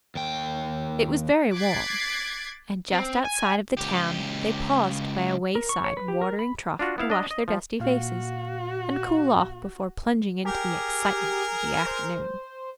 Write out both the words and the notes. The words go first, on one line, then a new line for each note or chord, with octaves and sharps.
It was very warm; and just outside of the town they paused by a wayside watering-trough to wash their dusty faces, and cool off before plunging into the excitements of the afternoon.
D#2 G5
D6 F#6 G#6 A6 B6 C7
C4
G#5
C#2 G4
A#4
C#6
C#5
B4
G4
A#4
B5
D4 F4 F#4
B3 E4 F5
D4 D#5
D#5
F3
A#2 F#4 F5
G4 G#4 A#4
C5